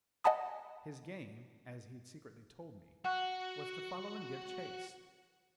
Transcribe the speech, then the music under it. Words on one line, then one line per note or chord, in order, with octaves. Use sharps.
His game--as he'd secretly told me--was to follow and give chase.
D#5 F#5 G#5 A5 B5 D#6
F#4 F#5 C#6 F#6